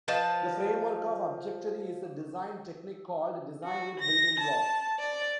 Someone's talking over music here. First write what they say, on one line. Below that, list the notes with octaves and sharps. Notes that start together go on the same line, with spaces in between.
The framework of objectory is a design technique called design with building blocks.
F3 B4 D#5 A5
F#4
A#6
A5
D5